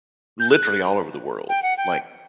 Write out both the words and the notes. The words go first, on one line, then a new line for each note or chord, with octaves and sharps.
literally all over the world, like
G6
F#6
G5
F#5
G5